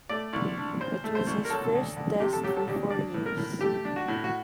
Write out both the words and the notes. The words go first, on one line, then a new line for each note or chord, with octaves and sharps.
It was his first Test for four years.
A3 D5
C2
D4
A#2 C5
A3
C5
C2
A#4
F#3 A4
D2
D2
C3 G4
A4
F#3 G4
A4
D2 G4
D4 D5
A2
A#4
A2
A3 G4
D4
F#4
A2
F#4